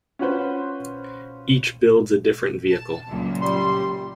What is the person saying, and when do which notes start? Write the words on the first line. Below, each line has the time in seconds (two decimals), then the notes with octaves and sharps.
Each builds a different vehicle.
0.19 C#4 F4 F#4 B4 C5
2.67 A5
3.06 C#2 F#2 A#2
3.41 G3 C6